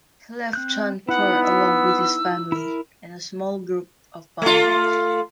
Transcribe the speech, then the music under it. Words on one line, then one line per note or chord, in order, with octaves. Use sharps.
He left Jaunpur along with his family and a small group of followers.
C4 F#6 G6
B3 D#4 E4 F#5
E6
E4 A#4
A3 F4